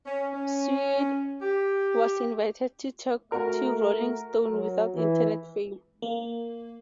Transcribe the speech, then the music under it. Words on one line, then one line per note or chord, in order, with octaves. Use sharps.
Suede was invited to talk to Rolling Stone about internet fame.
C#4
C#4
G4
A3 F#4 A#4
F#3
E3
A#3